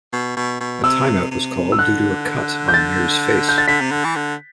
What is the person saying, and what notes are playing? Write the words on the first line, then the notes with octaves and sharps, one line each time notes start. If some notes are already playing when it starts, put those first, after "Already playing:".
A time out was called due to a cut on Mir's face.
B2
B2
B2
C3 E6
C3
E6
D3 F#6
G6
A6
G6
A6
D3 B6
C3
D3
E3
D3